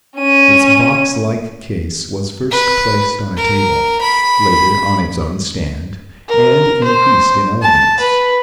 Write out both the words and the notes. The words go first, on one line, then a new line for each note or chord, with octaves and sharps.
Its box-like case was first placed on a table, later on its own stand, and increased in elegance.
C#4 D#7
B4
A#4
B5
A#4
C5
A5
B4